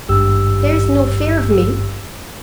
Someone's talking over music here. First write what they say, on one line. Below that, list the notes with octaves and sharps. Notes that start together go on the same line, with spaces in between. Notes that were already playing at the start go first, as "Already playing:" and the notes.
There's no fear of me.
G#1 G2 G4 E6